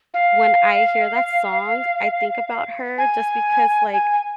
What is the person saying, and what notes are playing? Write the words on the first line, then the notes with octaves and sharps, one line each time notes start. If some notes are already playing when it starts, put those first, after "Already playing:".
when I hear that song, I think about her just because, like
F5
G#5
G#5